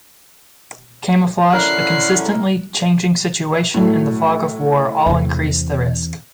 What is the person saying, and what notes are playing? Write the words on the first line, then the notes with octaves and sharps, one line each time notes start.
Camouflage, a constantly changing situation and the fog of war all increase the risk.
D3 C#4 E4 A#4 F#6 C7
A2 F#3 A3
E2 C3